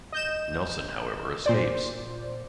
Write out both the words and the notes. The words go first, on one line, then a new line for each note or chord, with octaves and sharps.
Nelson however escapes.
D#5 G6 E7
A#2 C5 D5